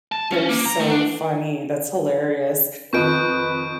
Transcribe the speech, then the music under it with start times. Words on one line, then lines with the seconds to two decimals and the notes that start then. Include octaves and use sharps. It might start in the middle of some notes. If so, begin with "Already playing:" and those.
They're so funny. That's hilarious.
0.12 A5
0.32 C#4
0.49 A#3
0.65 A#5
0.80 A3
0.91 D4
2.93 F2 D#3 D#4 B4 C#6 G6 D7